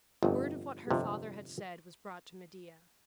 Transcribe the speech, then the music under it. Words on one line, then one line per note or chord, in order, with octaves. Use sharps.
Word of what her father had said was brought to Medea.
G1 F2 C3
G1 F2 C3